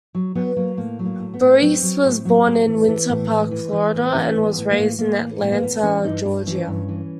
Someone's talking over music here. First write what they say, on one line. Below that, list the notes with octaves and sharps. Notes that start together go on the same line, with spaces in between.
Bearse was born in Winter Park, Florida and was raised in Atlanta, Georgia.
F#3
F#3 B3
F#3 A#3
A2 A#3
F#3
A#3
A2
B3
A2
F#3 C4
F#3
A2
F#3
A2
E3
E3
A2
E3
E3
E3
A2
E3 C#4
A2
B3
A2
A#3
A2
A2 A#3
E3
A2 B3
A#3
A2 B3
E3 C#4
G2 D#4
G2 D4
E3 C#4
G2
E3